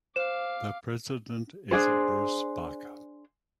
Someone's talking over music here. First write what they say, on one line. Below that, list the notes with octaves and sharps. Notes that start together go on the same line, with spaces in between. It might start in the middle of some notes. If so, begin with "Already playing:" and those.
The president is Bruce Barker.
C5 F5 D6 E7
D4 D#4 G#4 C5